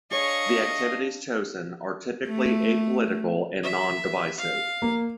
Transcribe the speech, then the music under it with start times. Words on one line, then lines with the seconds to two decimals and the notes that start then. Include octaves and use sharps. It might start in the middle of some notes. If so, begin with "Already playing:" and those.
The activities chosen are typically apolitical and non-divisive.
0.11 D4 G#4 C#5 D#5 F5 C#6
2.28 A3
3.63 E5
4.38 F5
4.82 A#3